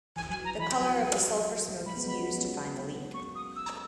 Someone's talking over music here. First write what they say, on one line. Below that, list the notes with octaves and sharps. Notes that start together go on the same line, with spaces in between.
The color of the sulfur smoke is used to find the leak.
E3 G#5
F#3 G#5
F#3 A#5
E3 B5
F#3 G#5
F#3
G#3 B5
B3
F#3 B5
C#4
B3
A#3 C#6
D#6
E6